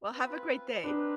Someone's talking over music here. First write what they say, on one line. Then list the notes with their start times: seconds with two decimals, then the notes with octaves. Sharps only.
Well, have a great day.
0.12 C4 F4 B4
0.83 C4 D4 D#4 B4